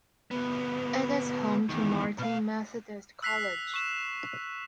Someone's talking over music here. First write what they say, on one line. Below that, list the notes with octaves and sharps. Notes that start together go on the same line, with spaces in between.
It is home to Martin Methodist College.
D2 B3
E2 D#3
B2 F5
E6 F#6 B6 C7 F7
C#6 B6 E7